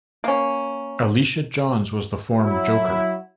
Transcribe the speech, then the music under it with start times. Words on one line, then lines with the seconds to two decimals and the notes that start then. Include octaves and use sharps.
Alicia Johns was the form joker.
0.24 A#3 C#4
2.39 F#3 E4